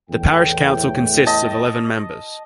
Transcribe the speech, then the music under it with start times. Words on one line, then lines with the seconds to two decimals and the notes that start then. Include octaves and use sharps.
The parish council consists of eleven members.
0.10 E2 A2 G5
1.27 D#5 A5